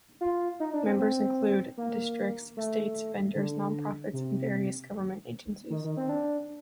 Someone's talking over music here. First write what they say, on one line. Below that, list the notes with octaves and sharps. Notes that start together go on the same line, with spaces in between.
Members include districts, states, vendors, non-profits, and various government agencies.
F4
D#4
D4
C4
C4
A#3
A3
D3
C3
D#3
D#3
C4
D4